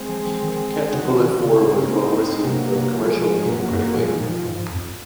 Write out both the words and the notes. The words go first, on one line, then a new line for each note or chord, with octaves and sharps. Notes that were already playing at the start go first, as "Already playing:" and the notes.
"Catch Bull at Four" was well received both commercially and critically.
Already playing: G#3 C4
F3
F3
D#3
C#3 D#4 F#4
F3
C#4 F4
D#3
C#3
G#3 C4
G#3 C4
A#3 C#4
F4
C4 D#4
G#3
C3 F#3 A#3
F3 G#3
A#2 F#3 A#3
F#3 A#3
F#2
F#3 A#3
A#2 F3 G#3
D#3
A#2
F3
G#2
F2